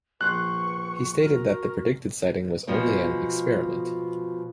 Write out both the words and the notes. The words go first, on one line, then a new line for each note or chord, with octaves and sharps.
He stated that the predicted sighting was only an "experiment".
A#1 B4 C5 C#6 F#6
F#4 A#4
B2 F3 G#3